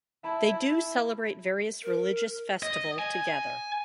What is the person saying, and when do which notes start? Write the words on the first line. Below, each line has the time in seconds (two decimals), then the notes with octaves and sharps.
They do celebrate various religious festival together.
0.23 E4 E5 A5 B5
1.83 A#4
2.63 D#5
2.99 G#5